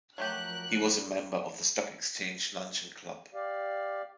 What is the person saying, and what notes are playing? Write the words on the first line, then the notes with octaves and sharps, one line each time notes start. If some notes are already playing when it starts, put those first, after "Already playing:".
He was a member of the Stock Exchange Luncheon Club.
F3 F#3 A3 G4 A#4 F#6
G4 D5 F5